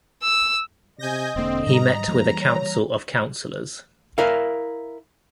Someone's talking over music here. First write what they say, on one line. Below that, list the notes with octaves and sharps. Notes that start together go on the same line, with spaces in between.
He met with a council of councilors.
E6
C3 D#5 G#5 G6 A#6
E1 D3 A#3 C4
G#2 G3 A#5
F2 E3 G3 A#3
C#5
E4 A#4 F5